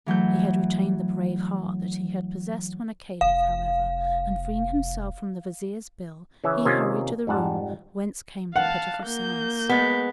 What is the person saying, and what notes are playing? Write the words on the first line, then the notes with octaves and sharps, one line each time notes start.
He had retained the brave heart that he had possessed when a Caliph, however, and freeing himself from the Vizier's bill, he hurried to the room whence came the pitiful sounds.
E3 F#3 A3 G6
F1 F5
C#3 E3 C#4 E5
C3 D#3 A#3 C#4 F4 D#5
F2 G#2 G3 F#5 A5
F5 F#5 A5
A#3 G6
G#3 B3